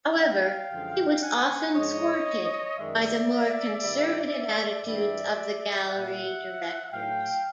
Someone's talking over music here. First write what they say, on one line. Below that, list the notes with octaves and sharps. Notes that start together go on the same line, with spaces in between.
However, he was often thwarted by the more conservative attitudes of the gallery directors.
F5 G5
F#2 D3 F3 G#3
F#5 G#5
G#2 F3 G#3 C#5 D#5
F#2 D#3 G#3 D5 E5
G2 D#3 G3
G2 E3 G3 D5 E5
A#2 G3 E5 F#5
A2 F#3 F5 G5